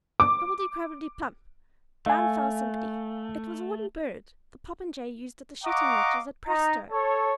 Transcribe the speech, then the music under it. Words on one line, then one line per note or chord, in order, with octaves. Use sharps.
"Kribledy, krabledy--plump!" down fell somebody: it was a wooden bird, the popinjay used at the shooting-matches at Prastoe.
D6
A3 F5 G#5
D#5 F5 F#5 A#5 C#6 D6
D#4 A#5
A4 C#5